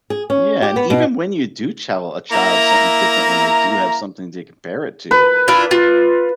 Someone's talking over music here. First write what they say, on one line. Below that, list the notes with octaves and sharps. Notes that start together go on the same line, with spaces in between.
Yeah, and even when you do tell a child something different, when they do have something to compare it to,
G#4
C#4
G4
B3
B2
A#3 E4 E5 A#5
B4
D4 E4 F4
F4